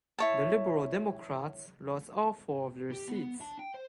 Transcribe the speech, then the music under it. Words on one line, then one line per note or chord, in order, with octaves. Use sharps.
The Liberal Democrats lost all four of their seats.
E4 C#5 A5
G4
B3
D4 A5
G5
C5